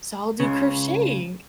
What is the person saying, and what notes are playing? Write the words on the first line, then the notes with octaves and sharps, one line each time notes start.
so I'll do crocheting."
C#2 C#3